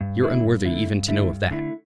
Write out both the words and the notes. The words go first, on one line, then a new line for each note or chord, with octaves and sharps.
You're unworthy even to know of that.
G2
D3 A3 E4
G2
D3 A3 E4
G2
D3 A3 E4
G2
D3 A3 E4